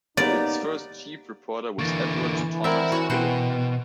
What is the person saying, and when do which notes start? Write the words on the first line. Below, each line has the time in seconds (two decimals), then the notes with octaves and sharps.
Its first chief reporter was Edward Thomas Gillon.
0.17 A#3 B3 D#4 G4 D5
1.79 D3 E3 A#3 C#6 A6 A#6
2.64 C4 E4 A#4 D5 E5 F#5 B5
2.92 E4 F#4 C#5 G#5
3.10 B2 F#4 B4 C5 G5